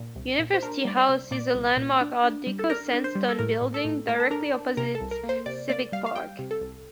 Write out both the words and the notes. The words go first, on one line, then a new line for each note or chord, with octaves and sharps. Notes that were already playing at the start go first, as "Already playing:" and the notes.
University House is a landmark Art Deco sandstone building directly opposite Civic Park.
Already playing: A#2 D4
C2
A#2
C5
D4 A#4
G3 D5
C5
C2
A#2 D5
C2
A#2
D4
D4
G3
A4
D4 A#4
D4
C5
G3
A4
A2 A#4
A2
A4
A2
A2 A#4
A4
D4 A#4
D4
C3 A#4
A4
C2
A#4
A#3
C5
C3 D5
A#3 D5
G3 F5
F5
G3 G5
C3
A4
C2